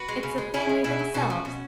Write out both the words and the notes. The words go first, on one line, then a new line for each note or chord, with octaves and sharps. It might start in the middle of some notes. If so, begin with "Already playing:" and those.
It's the family themselves.
Already playing: F#4 B4
G#3
C#3
G#3
C#3 E4 G#4
G#3
B2 E4 G#4
F#3
B2 C#4 F#4
F#3
B2